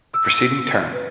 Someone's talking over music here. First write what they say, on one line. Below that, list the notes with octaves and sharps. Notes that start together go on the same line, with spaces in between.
The preceding Turn!
E6
B4